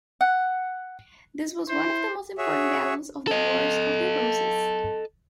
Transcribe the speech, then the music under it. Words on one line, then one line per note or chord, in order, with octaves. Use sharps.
This was one of the most important battles of the Wars of the Roses.
F#5
E4 C5
F#4 G#4 C#5 E5
A4 D#5